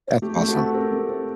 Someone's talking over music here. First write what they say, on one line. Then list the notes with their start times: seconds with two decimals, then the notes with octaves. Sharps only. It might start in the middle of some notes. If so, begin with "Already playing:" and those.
That's awesome.
0.22 A3 G4
0.36 A3 G4
0.49 F#4 A4
0.57 C4
0.74 C4 G4 A#4
0.92 A3
1.09 C4